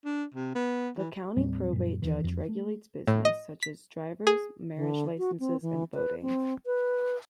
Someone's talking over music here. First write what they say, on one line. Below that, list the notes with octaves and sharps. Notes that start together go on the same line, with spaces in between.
The County Probate Judge regulates business such as drivers, marriage licences, and voting.
D4
C3
B3
E3
D#2 A2 G3 C4
F#2 A#2
D#2 D#3 E3
F2
A3
A2
D#5
B6
G#4
D3
F#4
C4
E3
B4
C4
B4